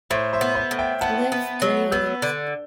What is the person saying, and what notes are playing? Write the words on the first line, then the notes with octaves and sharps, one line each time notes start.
Let's dance.
A2 C5 E5
C5 E5
B3
C5 E5
A2
E5 G5
B3 F#5 A5
B3
F#3
B3 E6 G6
D3